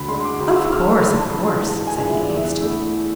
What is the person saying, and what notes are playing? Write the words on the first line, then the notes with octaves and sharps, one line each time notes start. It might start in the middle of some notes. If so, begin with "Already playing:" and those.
"Of course; of course!" said he hastily.
Already playing: D2 B5
D3 G#3 C6
D6
D2 C6
E6
D3 G#3 F6
E6
B5
G#2 C6
A5
B5
E3 G#3 D4 F4
A5
G#2 A5
G#5
E3 G#3 D4 F4
E5
D5
E2
E5
D3 A3 E4